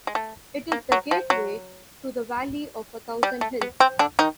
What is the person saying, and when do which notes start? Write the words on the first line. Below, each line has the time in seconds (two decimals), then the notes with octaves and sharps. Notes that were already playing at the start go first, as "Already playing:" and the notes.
It is the gateway to the Valley of a Thousand Hills.
0.07 G#3
0.15 A3
0.72 A#3
0.92 F#3
1.11 F3
1.30 F#3
3.23 G3
3.41 A3
3.61 B3
3.80 C4
3.99 D3 D4
4.19 D#3 D#4